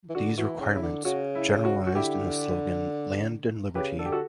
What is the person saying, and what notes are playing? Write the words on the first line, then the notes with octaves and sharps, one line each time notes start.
These requirements, generalized in the slogan Land and Liberty!
E3
D3 F#4
E3 F#4
E4
C#3
E4
D3
C#3 F#4
E4
F#4
F#4
D3 E4 G4
C#3 G4 B4
D3 A4
G4
F#4 A4